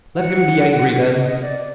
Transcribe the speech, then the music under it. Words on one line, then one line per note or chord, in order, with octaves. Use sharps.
Let him be angry then.
F#5
D#5
D5